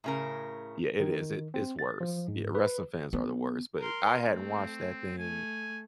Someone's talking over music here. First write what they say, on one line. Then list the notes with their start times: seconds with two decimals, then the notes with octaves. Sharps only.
Yeah. It is, i it's worse. Yeah, wrestling fans are the worst, but I hadn't watched that thing
0.04 A2 C#3 A#4
1.00 D#3
1.54 C4
1.79 A6
2.01 F3
2.28 G#2
2.55 B4
3.13 B3
3.79 A#4 C6
4.25 A3 C4
5.18 A3 G#5